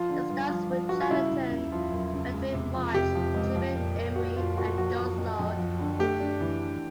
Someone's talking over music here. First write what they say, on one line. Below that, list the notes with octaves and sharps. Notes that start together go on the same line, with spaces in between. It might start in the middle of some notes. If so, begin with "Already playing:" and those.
It stars Ruth Chatterton, Fredric March, Gilbert Emery and Doris Lloyd.
Already playing: F3 F4
D3
G2
F3
F3
G2 F#4
F4
C#3 E4
C#3
C#3
F3 F4
F#2
C#3
G#3
C3
F3
C3 G4
F3
C#2
F3
A#2
A#2
A#2 F#4
A#2 F4
A#2 F#4
F3 F#4
F3
F2
F2
F3
D3
A3 G4
D4
E3
D4